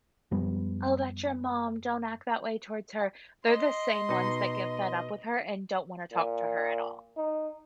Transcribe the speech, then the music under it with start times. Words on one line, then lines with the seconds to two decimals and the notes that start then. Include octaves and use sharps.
"Oh, that's your mom, don't act that way towards her." They're the same ones that get fed up with her, and don't want to talk to her at all.
0.31 F#2 F3 G3 B3
3.49 D#5 C6
4.09 B2 D#4
6.12 A#2
7.17 D#4